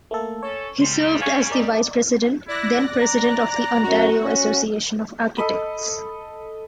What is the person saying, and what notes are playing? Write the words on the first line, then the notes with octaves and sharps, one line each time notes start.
He served as the Vice-President, then President of the Ontario Association of Architects.
A3 A#3 A4
C#4 A4 C#5
C#2 C#3 G3 C6
F5 G#5 C#6
A#4 D5 D#5
E4 D5 F#6 A#6
A#5
F#2 F#4
C#4
A4 D#5 B5 D#6